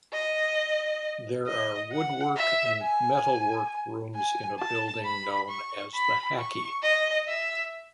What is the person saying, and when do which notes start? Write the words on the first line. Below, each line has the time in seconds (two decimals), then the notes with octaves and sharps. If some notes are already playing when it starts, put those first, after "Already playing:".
There are woodwork and metalwork rooms in a building known as "the Hackey".
0.13 D#5
1.47 D#5
1.92 F#5
2.37 E5
2.82 G#5
4.15 G#5
4.60 A5
5.05 B5
5.49 C#6
5.94 B5
6.38 C#6
6.83 D#5
7.28 E5